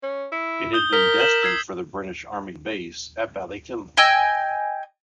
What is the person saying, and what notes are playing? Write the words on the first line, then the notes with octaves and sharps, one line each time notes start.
It had been destined for the British Army base at Ballykinler.
C#4
E4
D#6 G6 G7
A#4 B6 G7
B6 E7 F#7
E6 G#6 C7
D#5 G5 G#5 E6